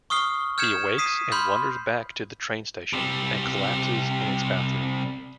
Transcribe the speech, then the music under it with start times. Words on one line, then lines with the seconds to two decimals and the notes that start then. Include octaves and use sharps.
He awakes and wanders back to the train station and collapses in its bathroom.
0.10 C#6 D#6 F6 C7 G7
0.58 F6 G6 G#6 C#7 E7
0.98 D#6 B6 C7 D#7
1.32 B5 C6 F6 G6
2.93 C3 G3